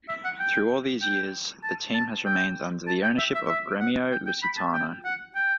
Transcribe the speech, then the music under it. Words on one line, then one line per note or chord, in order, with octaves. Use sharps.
Through all these years, the team has remained under the ownership of Gremio Lusitano.
E5
F#5
G5
G5
A5
A5
G5
A5
G5
E5
E5
E5
F#5
G5
G5
B5
A5
G5
F#5
G5